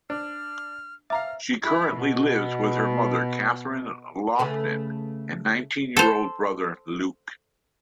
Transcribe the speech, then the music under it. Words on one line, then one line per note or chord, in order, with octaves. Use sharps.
She currently lives with her mother Kathryn Loughnan and nineteen-year-old brother Luke.
D4 F6
E5 F5 A#5 D6 F6
E4
B2
C#3 A3 B4
A4 C5